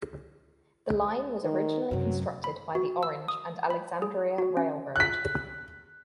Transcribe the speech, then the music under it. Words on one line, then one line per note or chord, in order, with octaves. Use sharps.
The line was originally constructed by the Orange and Alexandria Railroad.
D#3
F#2 C3 F#3
B5
F#4
E6
D#6
B5
G#4
F#4
C#4
F#6 B6